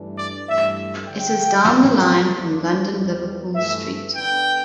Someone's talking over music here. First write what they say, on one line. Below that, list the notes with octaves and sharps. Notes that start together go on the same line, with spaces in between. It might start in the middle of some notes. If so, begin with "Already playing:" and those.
It is down the line from London Liverpool Street.
Already playing: G2 E3 A3 D4
D5
G2 E3 A3 D4 E5
D3 G3 D4 G5
A2 E3 A3 D4
E2 B2 A3 D4
E2 B2 G3
G2 E3 A3 E5
D3 B3 D4 G5